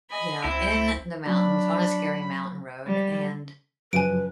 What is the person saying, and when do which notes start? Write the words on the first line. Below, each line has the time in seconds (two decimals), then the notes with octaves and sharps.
you know, in the mountains on a scary mountain road, and
0.10 D#5 G#5 B5
0.44 C#2 C4 E4 G6
1.26 F#3 D4 B5
2.86 G3
3.93 F#2 C#3 F3 B4 G#5 D7